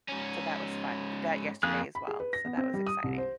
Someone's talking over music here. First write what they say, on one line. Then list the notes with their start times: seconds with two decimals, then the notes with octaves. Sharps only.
so that was fun, did that yesterday, as well, so that was exciting.
0.08 G#2 C#4
1.63 F2 A#3 G#4 F#6
1.95 B5
2.08 G#4
2.20 B4
2.33 A#6
2.45 B3
2.57 C4
2.74 G3
2.87 D#6
3.04 C2
3.18 C5